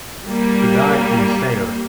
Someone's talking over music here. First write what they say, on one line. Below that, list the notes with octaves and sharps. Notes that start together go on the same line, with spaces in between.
He died in Sayre.
G3 A#3